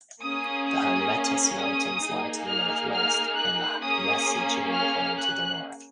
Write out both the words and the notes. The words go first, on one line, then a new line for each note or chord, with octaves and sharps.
The Hymettus mountains lie to the northwest and the Mesogeian plain to the north.
A#3 C#4 G#4 D#6
D#6
D#6
A#3 D#4 G#4
F6
F6
F#6
A#3 C#4 G#4 D#6
F6
F#6